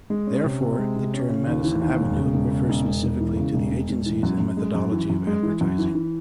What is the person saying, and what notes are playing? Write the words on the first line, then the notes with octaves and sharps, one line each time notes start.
Therefore, the term "Madison Avenue" refers specifically to the agencies, and methodology of advertising.
G#3
C#4
C3
C3
G#3
C3
C#4
C#3
D#2
E3
D#2
E1
C#3
E1
C#3
E1
E1
E1
E3
C#3
E1
E1
E1
E3
F#2
F#2
G#3
F#2
E3
F#2
G#3
E3
F#2
E3
E3